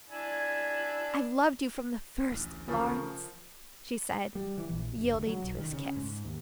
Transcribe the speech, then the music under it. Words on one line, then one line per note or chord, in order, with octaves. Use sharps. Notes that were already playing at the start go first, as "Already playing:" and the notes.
"I've loved you from the first, Lawrence," she said, yielding to his kiss.
D4 E4 G#5
A1 D2
C#3 F3 A3 A#4
G3
E3
A#1
F1
D2
F#3
B1
D#3
C#3
G#2
D#2